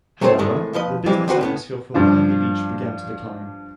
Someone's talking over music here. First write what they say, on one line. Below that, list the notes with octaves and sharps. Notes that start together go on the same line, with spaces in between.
However, the business atmosphere for Miami Beach began to decline.
F#3 A3 C4 A4 C5 C#5
A2 C3 D#3 G#3 A3 G#4
D#2 F3 B4 D#5
A#2 E3 F3 G3 G#3 C4
D2 C4 F#4 B4
A2 B3 C#4
G2 F3 D4 F4